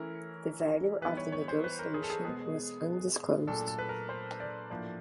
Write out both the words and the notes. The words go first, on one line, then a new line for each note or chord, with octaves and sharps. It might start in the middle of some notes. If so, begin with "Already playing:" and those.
The value of the negotiation was undisclosed.
Already playing: E3 A3 C#4 E4 A#4
E3 G3 B3 D#4 B4
C#5
C#5
C5
B4
A#4
G#4
A4
G#4
B2 G#3 B3 G#4
A#2 F#3 A3 D4 A4
A4
B4
A#4
C5
D5
A2 F3 A#3 D4